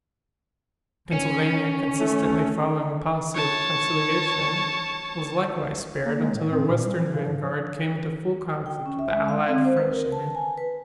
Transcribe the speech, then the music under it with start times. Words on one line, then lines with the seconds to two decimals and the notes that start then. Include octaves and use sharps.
Pennsylvania, consistently following a policy of conciliation, was likewise spared until her western vanguard came into full conflict with the allied French and Indians.
1.13 C#4
2.00 A3
3.35 C#5 A5
6.06 A#3
6.22 G#3
6.34 A2
6.51 C4
6.67 A#2
6.84 G3
6.97 F3
7.13 C#3
7.28 G#2
7.41 F3
8.66 G5
8.86 C#4
8.99 E5
9.12 G#3
9.28 F5
9.48 C4
9.65 C5
9.77 B4
9.92 A#4
10.12 A5
10.35 G#5
10.58 B4